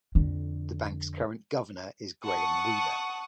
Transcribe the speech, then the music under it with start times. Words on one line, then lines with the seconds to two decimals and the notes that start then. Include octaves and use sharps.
The Bank's current Governor is Graeme Wheeler.
0.15 F2 D3
2.24 F#5 A5 C#6 D#6